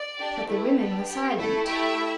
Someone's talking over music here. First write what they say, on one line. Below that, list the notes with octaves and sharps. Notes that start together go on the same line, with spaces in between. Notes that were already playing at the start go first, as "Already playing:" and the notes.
But the women were silent.
Already playing: D5
D4 G4
A3 E4 G4 B4
B3 D4 G4
B3 G4
A3 E4 A4
A3 E4 G4 E5